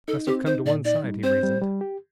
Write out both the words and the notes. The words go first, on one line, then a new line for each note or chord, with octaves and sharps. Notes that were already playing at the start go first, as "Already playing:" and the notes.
"Must have come to one side," he reasoned.
D#4 A4
C4 G4
D#4 C5
A#2 D5
D#4 D5
G3
C4 C5
G3
G3
G4